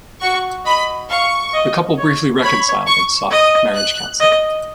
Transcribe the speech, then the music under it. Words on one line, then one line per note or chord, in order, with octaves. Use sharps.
The couple briefly reconciled and sought marriage counselling.
F#4 C#6
D#5 B5
F5 C#6
D#5
C#5
C#5 B5
C#6
D#5 D#6
F#6
D#5